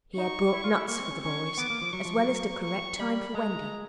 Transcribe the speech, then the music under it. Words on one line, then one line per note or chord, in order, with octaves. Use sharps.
He had brought nuts for the boys as well as the correct time for Wendy.
D#4 C#6
E4
F4
E4
A#3 C#6
C4
C#4
C4
C#4 C#6
B3 D6
A#3
F3
F#3 C#6
F3
F#3
F#3
C#6
G3 B5
G#3 A#5